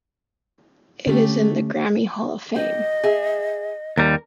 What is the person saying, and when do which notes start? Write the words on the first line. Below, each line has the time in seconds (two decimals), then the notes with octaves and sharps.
It is in the Grammy Hall of Fame.
1.07 D3 A3 C#4 G4
2.56 G4 D#5
3.04 G#4 E5
3.98 D#2 G3 A#4